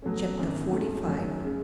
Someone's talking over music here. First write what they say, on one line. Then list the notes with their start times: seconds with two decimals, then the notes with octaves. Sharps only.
Chapter XLV.
0.02 B2 F#3 A3 C#4
0.37 G#1 F#2 D#3
0.72 C#2 B2 A3
1.07 F#2 D#3 F#3 C#4
1.43 C#3 G#3